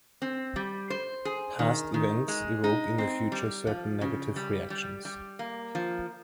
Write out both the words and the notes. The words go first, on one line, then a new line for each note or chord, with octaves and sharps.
Past events evoke in the future certain negative reactions.
C4
G3
C5
G#4
D#3
D#3
G#3
D#4
C4
G3
F3
C#3
G3
G3
G3
A#3
F3